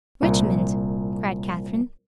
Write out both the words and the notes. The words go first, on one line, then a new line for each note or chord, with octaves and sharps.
"Richmond!" cried Catherine.
C2 A#2